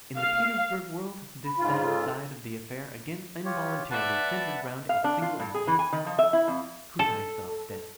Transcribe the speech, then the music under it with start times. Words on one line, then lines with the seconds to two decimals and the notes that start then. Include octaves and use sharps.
In the Petersburg world this sad side of the affair again involuntarily centered round a single incident: Kutaysov's death.
0.17 F5
1.45 B5
1.59 G#2 C#3 F4
1.84 A4
3.45 F4 G4 C#5
3.91 B4 D5 E5 F#5 A5
4.89 F5
5.04 D4
5.22 F4
5.39 G2
5.54 G#4
5.67 E3
5.79 G#5
5.93 D#3
6.06 F3
6.19 E5
6.33 E4
6.48 F2
6.99 A4